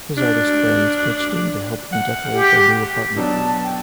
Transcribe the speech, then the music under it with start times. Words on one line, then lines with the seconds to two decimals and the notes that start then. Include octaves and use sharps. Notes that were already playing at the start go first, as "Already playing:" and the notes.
His artist friends pitched in to help them decorate their new apartment.
0.18 D4
1.93 F#5
2.34 G4
3.16 B2 F#3 D4 A5
3.64 G5